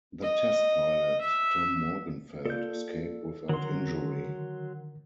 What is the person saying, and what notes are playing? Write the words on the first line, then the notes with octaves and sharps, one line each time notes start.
The test pilot, Tom Morgenfeld, escaped without injury.
D#5
E5
A#3 F4 A4 D5 G6
D3 D#3 F#3 A#4 C6